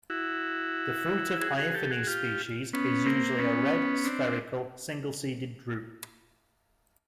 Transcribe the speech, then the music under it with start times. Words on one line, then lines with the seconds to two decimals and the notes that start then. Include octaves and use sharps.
The fruit of "Aiphanes" species is usually a red, spherical, single-seeded drupe.
0.10 E4 F#4
1.41 F#4 G#4
1.58 F#4 G#4
1.74 G4 A4
1.90 F#4 G#4
2.07 F4 G4
2.73 B3 C#4
3.06 A#3 C4
3.39 B3 C#4
4.04 C4 D4